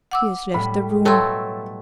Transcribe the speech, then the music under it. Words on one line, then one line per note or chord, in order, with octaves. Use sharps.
He has left the room.
F#5 D6 E6
A2 G3 B5
B2 F#3 A3 A4 G5 C6